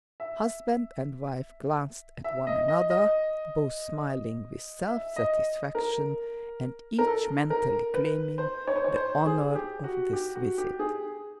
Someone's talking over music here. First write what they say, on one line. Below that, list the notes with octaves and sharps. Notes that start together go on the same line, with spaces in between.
Husband and wife glanced at one another, both smiling with self-satisfaction, and each mentally claiming the honor of this visit.
E5
E5
D#5
D#5
D#5
E5
D#5
A#4
A#4
A4
A#4
B4
C5
C#5
C5
C#5
C5
G#4
G4
F#4
G4
F#4
G4
G#4